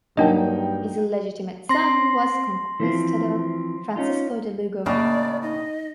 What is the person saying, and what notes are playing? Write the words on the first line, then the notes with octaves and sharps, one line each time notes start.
His illegitimate son was "conquistador" Francisco de Lugo.
G2 F#3 A#3 D4 D#4 D#5 G5
C4 C6 A#6
E3 F3 C4
C#4 D#4 F4
A2 C#3 A#3 C#4 D4 D5 D#5
D#4 D#5